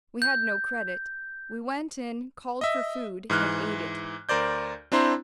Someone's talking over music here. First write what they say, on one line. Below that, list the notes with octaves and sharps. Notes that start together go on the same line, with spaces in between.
We had no credit; we went in, called for food and ate it.
G6
D#5 E5
G#2 E3 F6 F#6
D2 A#4 C5 D5 G6
C4 D4 E4 C5 A#5 C6